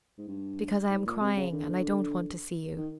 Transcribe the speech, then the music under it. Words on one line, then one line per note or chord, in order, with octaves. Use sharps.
"Because I am crying, and I don't want to see you."
G#2
G2
G#2
A#2
C3
C#3
D3
D#3